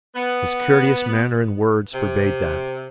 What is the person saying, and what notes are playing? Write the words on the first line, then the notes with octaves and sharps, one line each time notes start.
His courteous manner and words forbade that.
B3
C3